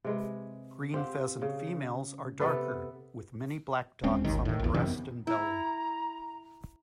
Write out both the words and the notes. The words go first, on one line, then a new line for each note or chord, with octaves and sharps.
Green pheasant females are darker, with many black dots on the breast and belly.
C3 G#3 B4
C4 G4 F5 F#5
C#3
C3 B3 A4 B4
D#1 G#3 C4 C#4
G#1 D#2 D#3
A2 D#3
A#1 E2
F#2 C3 D#3 E3
B3
E4 A#5